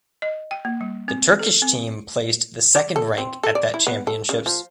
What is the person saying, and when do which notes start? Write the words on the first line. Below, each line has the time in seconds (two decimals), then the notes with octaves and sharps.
The Turkish team placed the second rank at that championships.
0.22 D#5
0.51 G5
0.65 A#3
0.81 G3
1.08 C4
1.39 A4
1.62 C4
2.76 D5
2.96 A4
3.18 C4
3.43 A4
3.55 D5
3.74 E4
3.87 B3
4.07 A4
4.29 C#3
4.46 F3